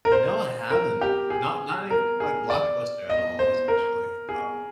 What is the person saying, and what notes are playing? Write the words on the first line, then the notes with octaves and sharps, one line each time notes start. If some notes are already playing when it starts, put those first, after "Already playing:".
You know, I haven't. Not not anything like blockbuster at all, especially. Um,
A#4
C5
A#4
G4
G#4
A#4
G#4
D5
D#5
C5
A#4
G#4